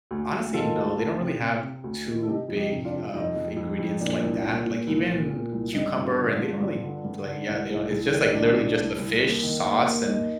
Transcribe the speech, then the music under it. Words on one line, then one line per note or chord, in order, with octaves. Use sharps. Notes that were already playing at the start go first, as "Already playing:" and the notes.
Honestly, no, they don't really have too big of ingredients like that, like, even cucumber, and they don't really like, yeah, they don't it's just, like, literally just the fish, sauce, and
D2
D2
D#3 F4 A4
D2
D2
C3
C3
C3
D2
D#3
A4
C3 D#4 G4
F2
D#4 G4
C3
D4 F4
C3
F2 D#4
F2
F2
F2
A#2 D4
C2
A#2
A#2
C2
A#2
A#2
C2
G2 D#4
G2
D4 F4
D3
D4 F4
G2
G2
D3
G2
D3
C2
C2
C2
D#3
C2 D4
C2
C2
C2
D#2
D#3
D#2
D#2
D#2 D#4